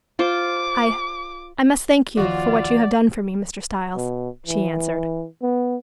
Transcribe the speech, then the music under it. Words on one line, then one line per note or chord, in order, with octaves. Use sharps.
"I--I must thank you for what you have done for me, Mr. Styles," she answered.
F4 C5 D6
D#2 F3 F4 F#4 D5
B2
E3
B3